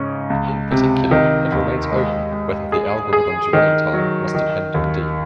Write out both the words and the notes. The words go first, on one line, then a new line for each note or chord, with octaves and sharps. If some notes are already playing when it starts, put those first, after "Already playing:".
In particular, it remains open whether the algorithm's running time must depend on "d".
Already playing: G#2 C#3 C#4
C#2
C3
D#3
D#2
G#3
G#3
G#4
G#4
D#3
F#3
D#3
D#2